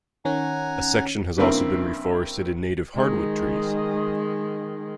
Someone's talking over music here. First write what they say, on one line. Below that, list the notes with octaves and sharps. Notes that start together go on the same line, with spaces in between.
A section has also been reforested in native hardwood trees.
D#3 C#4 F#5 G#5 A#5
G2 C#3 A#3 C4 E4
D#3 G#3